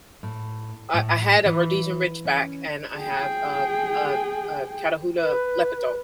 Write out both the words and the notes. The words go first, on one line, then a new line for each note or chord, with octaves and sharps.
I I had a Rhodesian Ridgeback, and I have uh uh uh, Catahoula Leopard dog.
A2
A2
E3
C#4
G#4 G5
B4